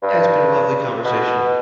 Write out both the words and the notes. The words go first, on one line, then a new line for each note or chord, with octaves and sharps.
yeah, it's been a lovely conversation.
G2
B2